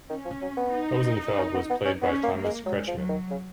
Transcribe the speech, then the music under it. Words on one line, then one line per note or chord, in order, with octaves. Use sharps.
Hosenfeld was played by Thomas Kretschmann.
D#3 C#4
F3
F#3
B3
D#4
C#4
B3
B3
C#4
B3 C#4
A#3
A#3
G#3
F#3 G#3
F3
F#3
D#3
C#3